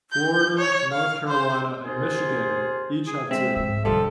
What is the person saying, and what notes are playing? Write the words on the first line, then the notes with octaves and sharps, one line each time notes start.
Florida, North Carolina, and Michigan each have two.
G6
C#5
F5
C5
D#2 C3 D#4 F4 G#4 C5
G#4
G#3 C4 E5
F2 G#2 E5
B1 G2 D3 F3 G3 A4